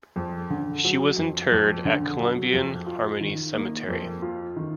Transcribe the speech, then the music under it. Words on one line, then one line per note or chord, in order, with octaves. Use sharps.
She was interred at Columbian Harmony Cemetery.
F2
D3
F#3
F2
F2
D3
F#3
F2
F4
D#3
A#3
F2
F4
D#3